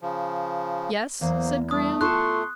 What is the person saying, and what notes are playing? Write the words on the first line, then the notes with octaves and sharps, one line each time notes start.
"Yes?" said Graham.
C#3 F3
E2 F#3 A#3 B3 C5
G3 A3 D#6
F4 A4 A5 C6 C#6 F#6